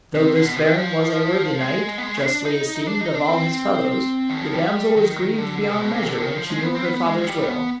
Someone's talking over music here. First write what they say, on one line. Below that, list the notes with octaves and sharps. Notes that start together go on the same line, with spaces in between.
Though this baron was a worthy knight, justly esteemed of all his fellows, the damsel was grieved beyond measure when she knew her father's will.
C3
D3
B2
C3
D#3
F3
G#3
B3
G#3
D4
D#4
D4
D#4
D4
C4
D#3
F3
G3
D#3
D3
C3
B2
C3
D#3
D3
D#3
F3
G#3
C4
B3
C4
B3
B3
G#3
F3
G3
B3